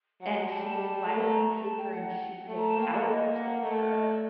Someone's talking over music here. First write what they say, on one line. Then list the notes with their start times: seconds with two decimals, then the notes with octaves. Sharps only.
and she goes, "Why don't you take her, and she picks out her sister,"
0.20 F#3 F#5
0.49 G3 A5
0.59 G5
0.63 A5
0.77 A5
0.92 A5
1.05 A3 A#5
1.62 A3 A5
1.77 G5
1.91 F#5
2.48 A3
2.56 A#5
2.68 A5
2.76 A#3 G5
2.93 F#5
3.05 A#3 D#5
3.33 F#5
3.62 A3
3.90 D#5
4.04 D5